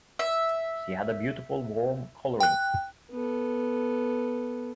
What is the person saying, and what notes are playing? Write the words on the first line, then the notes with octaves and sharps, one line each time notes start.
She had a beautiful warm colouring.
E5
G5 F#6
B3 A4